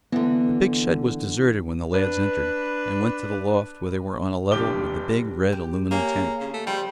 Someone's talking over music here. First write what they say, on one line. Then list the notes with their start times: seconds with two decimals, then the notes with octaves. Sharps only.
The big shed was deserted when the lads entered, and went to the loft where they were on a level with the big, red aluminum tank.
0.12 D3 E3 B3
1.93 D4 B4
4.52 F1 G2 G4 D6 G7
5.53 G4
5.91 A#3 G#4 C#5 G5
6.40 C#3
6.53 A3
6.67 F3 G3